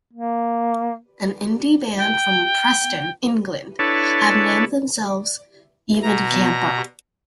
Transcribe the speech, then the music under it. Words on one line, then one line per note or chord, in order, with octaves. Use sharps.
An Indie band from Preston, England have named themselves "Ivan Campo".
A#3
G5
D4 E4 A4 B4 C#5 A5
B2 A#5